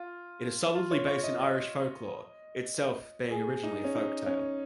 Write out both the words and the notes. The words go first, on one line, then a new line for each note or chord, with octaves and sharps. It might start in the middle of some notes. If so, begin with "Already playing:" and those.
It is solidly based in Irish folklore, itself being originally a folktale.
Already playing: F4
F4
C#5
C#5
D#5
D#5
G#4
D#4
C#4
D#4
C#4